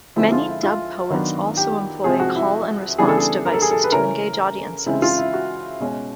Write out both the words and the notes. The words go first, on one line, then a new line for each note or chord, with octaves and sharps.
Many dub poets also employ call-and-response devices to engage audiences.
D3 F3 G#3 C4 E4
F4
E4
F4
D#3 F#3 B3 D4
G4
C3 F3 G#3 C4 G#4
F#4
E4
C#3 E3 G3 B3 D4 G#4
A4
G#4
A#4
A4
G#4
A4
B4
C#3 E3 A3 C#4 A#4
C#3 E3 G#3 C4 E4
F4
E4
F#4
B2 G#3 C#4